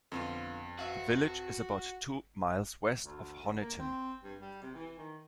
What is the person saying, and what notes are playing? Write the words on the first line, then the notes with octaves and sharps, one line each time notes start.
The village is about two miles west of Honiton.
F2 D3 B3 F4
F#4 B4 E5 F5
D2
D3
A#3
C4
G2
G3
C3
E3
D#3